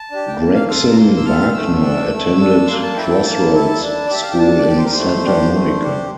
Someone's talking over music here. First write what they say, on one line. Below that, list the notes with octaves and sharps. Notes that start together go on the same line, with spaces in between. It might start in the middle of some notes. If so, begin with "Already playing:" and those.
Gregson Wagner attended Crossroads School in Santa Monica.
Already playing: A5
D4 G4
G5
A#3 A5
F5
F4 A4 F5
A5
A#5
A#3 C6
E6
F4 A4 F6
A3 E6
D4 A4
A3
D4 A4
A#3 C6
A5
E4 A4 G5
G5
A#3 A5
E4 A4
D4
D5
G4 E5
F5
G5
D4 A5
D5
G4
C5
A#4
A3 C5
D4 G4
A3
D4 G4